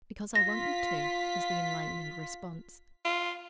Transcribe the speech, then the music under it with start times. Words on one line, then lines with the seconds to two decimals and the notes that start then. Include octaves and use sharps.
"Because I want you to," was the enlightening response.
0.35 F4 A#6 B6
3.05 F4